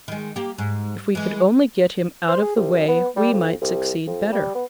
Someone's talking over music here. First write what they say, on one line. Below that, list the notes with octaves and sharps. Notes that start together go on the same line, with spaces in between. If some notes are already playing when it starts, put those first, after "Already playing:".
If we could only get him out of the way we might succeed better.'
D#3 G#3
A#3 G4
G#2
E3 G#3
C5
G#4
C2
F#2
B3
G3
F2
C2
F2
G3
B3